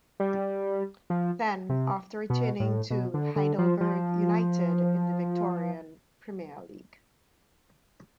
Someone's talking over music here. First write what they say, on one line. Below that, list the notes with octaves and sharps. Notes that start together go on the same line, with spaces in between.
Then after returning to Heidelberg United in the Victorian Premier League.
G3
F3
C3
B2
A2
B2
D3
D3
F3
F3